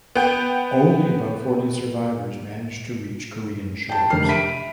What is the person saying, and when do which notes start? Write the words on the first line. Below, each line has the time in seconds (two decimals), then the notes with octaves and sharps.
Only about forty survivors managed to reach Korean shores.
0.15 B3 G5
3.89 G5 A5
4.10 F1 D3 A#4 F6 C7
4.27 E5 B5 B6 D7 D#7